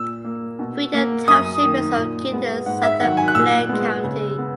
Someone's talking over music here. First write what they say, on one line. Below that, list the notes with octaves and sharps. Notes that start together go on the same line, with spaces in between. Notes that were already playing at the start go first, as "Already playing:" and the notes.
Freedom Township is located in southern Blair County.
Already playing: A#2 E6
A#3
B2
A#3
F#2 D#6
D#3 A#3
A#2
G#3 B3
G#2 F#5
E5
D#3 F#3 F#5
G#5
F#6
A#2 E6
G#3 B3
C#3
B3